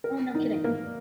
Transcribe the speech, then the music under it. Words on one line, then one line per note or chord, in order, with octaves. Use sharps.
Oh, no kidding.
A#4
D#4
A#3